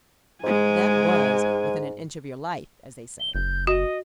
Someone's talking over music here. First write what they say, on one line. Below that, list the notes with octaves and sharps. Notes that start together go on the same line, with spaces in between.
That was 'within an inch of your life,' as they say.
G#2 G#3 G#5
G7
F#1 G6
F#4 D#5